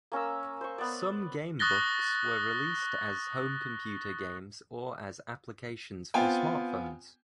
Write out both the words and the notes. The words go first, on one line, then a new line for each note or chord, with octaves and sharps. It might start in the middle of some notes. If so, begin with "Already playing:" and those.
Some gamebooks were released as home computer games or as applications for smartphones.
A#3 C#4 A#5 E6
C5 C#6
B3 D5
C#6 D#6 F#6 A6 A#6 G7
B3 C4 F4 G5 G#5